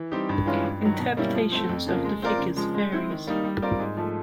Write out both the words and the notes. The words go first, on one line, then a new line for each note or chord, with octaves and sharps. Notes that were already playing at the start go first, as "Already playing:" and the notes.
Interpretations of the figures varies.
Already playing: E3
G3 C4 D#4 G4
G2
E3 G#3 C#4 F4
G2
D#3 F#3
B2
G3 A#3 C#4 E4
F3
A3 C4
F2
C#3 F3 A#3
G#3
C4 F4 A#4 D5
C#3
F3 G#3
G#3
C4 E4
D#3
G3 A#3 D#4
G3
C4 F4 A#4 D5
G#2
F3 A3